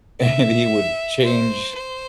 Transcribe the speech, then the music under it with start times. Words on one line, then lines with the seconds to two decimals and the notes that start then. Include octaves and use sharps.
And he would change
0.21 E5
1.24 C5
1.75 C5